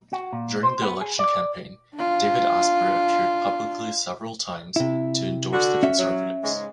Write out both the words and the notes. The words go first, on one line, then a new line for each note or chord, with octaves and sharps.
During the election campaign, David Asper appeared publicly several times to endorse the Conservatives.
F#4
A#2
C5
B3
G#4
D5
D4 F4
C3 E4
D3 F#4
C#4 E5
F#3
G#2 C#3 G#3